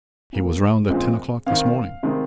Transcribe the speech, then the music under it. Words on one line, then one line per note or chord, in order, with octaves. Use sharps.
"He was round at ten o'clock this morning."
A#2 A#3
A#2 F3 G#3 C4
D#3 C4 F5
C3 D#3 G#3